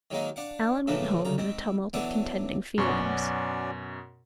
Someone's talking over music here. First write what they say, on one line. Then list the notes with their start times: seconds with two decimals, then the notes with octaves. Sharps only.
Alan went home in a tumult of contending feelings.
0.11 D#3 F#3 G#3 A#3 D#4
0.36 D4 F5 F#5
0.87 A2 C#3 E3 F3 A#3
1.25 D2 C#3 A#5
1.38 G#2 C4
1.94 E3 F#3 B3 D4 F#4 A4
2.78 F#2 B2 C#4 F#4 D5 C#6